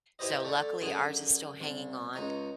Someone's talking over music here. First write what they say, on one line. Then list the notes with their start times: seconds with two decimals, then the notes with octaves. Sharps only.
So, luckily, ours is still hanging on,
0.19 E4 G4 B4 C5 D#5
0.44 D3 A3
0.81 F#2 D3 G#4 G#5
1.61 C2
2.13 C#2 D#4 C#6